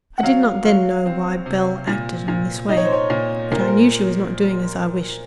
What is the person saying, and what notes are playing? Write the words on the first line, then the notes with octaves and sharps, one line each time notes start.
I did not then know why Belle acted in this way; but I knew she was not doing as I wished.
F#5
F#3 F5
F#3 F5
C4
C3
A#2
A#2
D#4 D#5
C#5
C5
C#5
A#2
A#2 A#4
C5
A#4